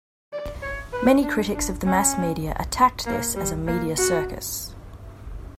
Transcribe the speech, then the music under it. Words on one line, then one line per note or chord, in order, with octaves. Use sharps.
Many critics of the mass media attacked this as a "media circus".
D5
C#5
B4
D4
D4
C#4
A#3
G3
A#3
F#4